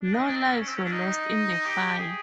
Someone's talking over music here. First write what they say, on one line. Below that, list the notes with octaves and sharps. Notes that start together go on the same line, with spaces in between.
No lives were lost in the fire.
D4
D#4
D4
C4
C#4
C#4
C4
C#4
D4
D#4
G4
G#4